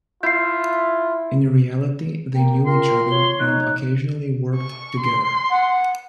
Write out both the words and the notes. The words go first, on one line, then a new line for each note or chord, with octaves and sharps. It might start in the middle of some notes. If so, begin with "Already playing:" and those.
In reality they knew each other and occasionally worked together.
E4 F4 G6 C7
A#3 G5
F4 A#4 G5 C6
C#5 G7
D#4 F#6
C#6
C6
F#5